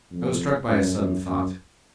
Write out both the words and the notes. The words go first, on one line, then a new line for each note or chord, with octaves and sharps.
I was struck by a sudden thought.
F2
F#2
F#2
F#2